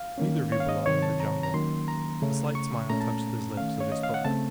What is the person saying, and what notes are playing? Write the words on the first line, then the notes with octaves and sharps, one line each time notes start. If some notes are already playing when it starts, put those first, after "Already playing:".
"Neither of you belong in the jungle." A slight smile touched his lips as he spoke.
Already playing: F5
D#3 A#3 C#4
C#5
F5
D#5
C3 D#3 F#3 C4 C#5
A5
A#5
A#5
D#3 F#3 A#3 C#4 C6
A#5
C#3 A3 C#4
C#6
A#2 A3 C#4 A#5
A5
D#3 A3 C#4 F5
C#5
D#5
F5
F#5
C#3 A3 C4 A5